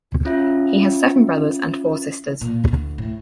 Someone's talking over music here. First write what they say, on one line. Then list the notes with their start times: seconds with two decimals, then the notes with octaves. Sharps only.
He has seven brothers and four sisters.
0.25 C#4 F4 E5
2.41 A#2
2.68 D2
2.98 A2